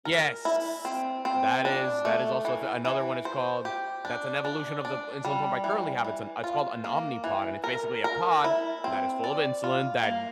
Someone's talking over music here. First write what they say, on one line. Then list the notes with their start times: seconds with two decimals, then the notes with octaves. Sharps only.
Yes. That is, that is also th another one, it's called, that's an evolution of the insulin pump I currently have. It's an it's called an Omnipod and it's basically a pod that is full of insulin that
0.05 A#4
0.45 E4
0.85 C4
1.25 C4
1.65 D4
2.05 A3
2.45 E3
2.85 E3
3.25 C5
3.65 G4
4.05 D4
4.45 D4
4.85 D4
5.25 G3
5.64 E3
6.05 E3
6.44 F4
6.84 A#3
7.24 E3
7.64 A#4
8.04 A#4
8.44 E4
8.84 C4
9.24 D5
9.64 F4
10.03 A#3